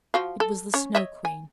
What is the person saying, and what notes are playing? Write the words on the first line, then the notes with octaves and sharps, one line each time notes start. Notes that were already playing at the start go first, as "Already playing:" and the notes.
It was the Snow Queen.
F3 F#4 F5
A4
C#4 C#5
C#5 D#5 E5
G#5